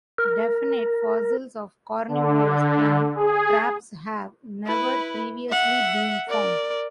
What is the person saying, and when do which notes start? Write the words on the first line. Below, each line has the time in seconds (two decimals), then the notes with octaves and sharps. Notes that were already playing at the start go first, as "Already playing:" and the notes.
Definite fossils of carnivorous plant traps have never previously been found.
0.18 A#4
2.08 D3
3.15 G#4
4.66 E4 B4
5.50 E5 F#5
6.28 A#4 D5